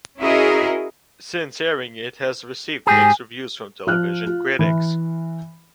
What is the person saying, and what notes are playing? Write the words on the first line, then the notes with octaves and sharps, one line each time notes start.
Since airing, it has received mixed reviews from television critics.
C#4 E4 F#4 G#4 A#4 D#5
G#2 G4 G#4 G#5
F3 F6 F#6
F4
E3